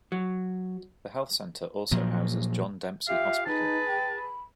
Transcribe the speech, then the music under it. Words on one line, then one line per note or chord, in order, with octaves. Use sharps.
The Health Center also houses John Dempsey Hospital.
F#3
A#2 F3 F#3
F4 G4 E5 F5
D#4 G#4 B4 A5
G5
B5